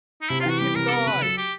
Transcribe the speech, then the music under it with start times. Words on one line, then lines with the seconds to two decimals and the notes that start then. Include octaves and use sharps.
'Let him die!
0.22 D#4
0.30 C3 E4
0.40 F4
0.45 E3 F#4
0.61 G3 G4
0.75 C3 A#4
0.88 A4
0.91 B3 A#4
1.06 C#3 B4
1.22 F#3 A4
1.37 G4